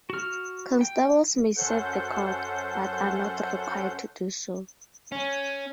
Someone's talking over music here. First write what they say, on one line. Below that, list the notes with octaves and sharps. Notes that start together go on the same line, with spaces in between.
Constables may serve the court, but are not required to do so.
F#4 F6
G5
F#2 C#4 A4 C5 F#5 G6
C#4